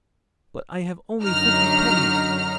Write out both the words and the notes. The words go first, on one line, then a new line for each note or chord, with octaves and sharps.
But I have only fifty pennies.
F#2 D3 F#3 D#4 A#5 F6